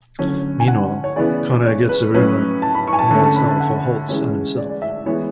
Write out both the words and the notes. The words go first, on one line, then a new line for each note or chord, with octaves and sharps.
Meanwhile, Connor gets a room at a motel for Holtz and himself.
D3 F#3 C#4
G#5
F#5
C#5
C#3 E3 B3 D5
C#5
B4
A2 F#3 C#4 B4
A5
B5
C#6
G#5
A5
D3 A3 C#4 A5
A5
B5
A5
F#5
E3 G#3 C#4
D5
D5
E5
E3 G#3 B3 C#5